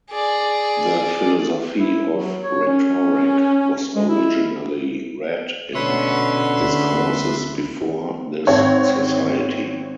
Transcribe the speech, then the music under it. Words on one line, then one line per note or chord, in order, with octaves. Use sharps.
"The Philosophy of Rhetoric" was originally read in discourses before this Society.
G#4 D5
E4
F#3
C#5
C#4
G#3
E4
B2 D3 C#4 B4 C#5 E5 C6
D2
G#1 C4 C#5